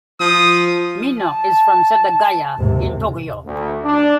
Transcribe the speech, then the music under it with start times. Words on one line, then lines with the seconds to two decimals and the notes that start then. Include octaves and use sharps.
Mino is from Setagaya in Tokyo.
0.20 F3 D#6
1.18 A5
2.56 D#2 G#2 C3
3.46 D2
3.85 D4